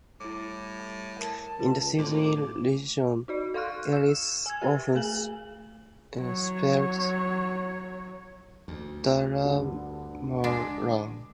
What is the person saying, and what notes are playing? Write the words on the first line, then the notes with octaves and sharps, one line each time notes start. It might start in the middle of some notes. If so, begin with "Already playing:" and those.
In the Sydney region it is often spelt Daramulan.
A2 G3 E4 D6
A#4 A5
C#2 F4 A4 B4
F2 A2 D6
D#4 F#4 D5
A4 F5 C6 C#6 F6 F#6
E6 E7
G#5 E6 G#6
G4 A#4 B4
A3 G#4 G#5 F#7
F#3 C#5
D2
G2 D3
G#3 D4